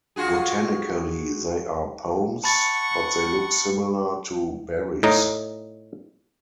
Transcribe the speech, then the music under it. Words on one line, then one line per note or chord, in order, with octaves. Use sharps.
Botanically they are pomes, but they look similar to berries.
F4 F#4 G#4
F#5 A5 B5 C#6 A6
A2 D#4 A#5